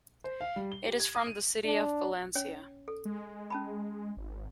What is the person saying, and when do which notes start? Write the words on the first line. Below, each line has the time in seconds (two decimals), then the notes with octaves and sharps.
It is from the city of Valencia.
0.24 C5
0.41 F5
0.56 G3
0.72 G7
0.86 G4
1.00 G#6
1.15 D#6
1.27 D#7
1.65 D4
2.35 C#4 C#5 G#5
2.88 A4
3.05 G#3
3.50 C#4 A5 B5
4.17 G#1